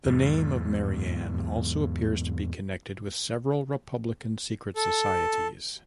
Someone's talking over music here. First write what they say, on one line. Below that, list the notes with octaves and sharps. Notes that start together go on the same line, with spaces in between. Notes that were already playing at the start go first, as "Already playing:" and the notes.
The name of Marianne also appears to be connected with several republican secret societies.
E2 G#2
A4